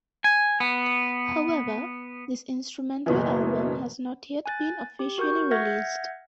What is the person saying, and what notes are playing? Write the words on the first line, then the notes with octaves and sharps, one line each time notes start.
However, this instrumental album has not yet been officially released.
G#5
B3
F#1 B2 E3
G#5 F#6 A6
G4
F#4 A#4 C#6 G6
E5 F#5 F6 G6 G#6 A#6